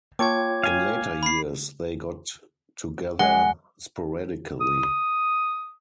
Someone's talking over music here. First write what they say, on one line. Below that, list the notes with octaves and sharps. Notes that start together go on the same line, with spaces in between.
In later years they got together sporadically.
A#3 F4 C#5 G5 A5 C#6 D6 G#6
F5 G#5
B5 C7
G#3 F#5
D#6